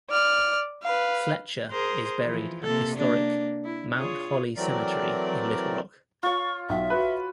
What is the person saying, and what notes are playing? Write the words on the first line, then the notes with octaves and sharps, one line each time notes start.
Fletcher is buried at historic Mount Holly Cemetery in Little Rock.
D5 F6
B4 F5
G#4 A#4 C5
E3 F3
C3 A#3 A4
A#3 D4
E4
F4 G#4 C#5
E3 F#3 A3 C4 A#4 D5
F4 C#5 C#6
B1 E5
F#4 B4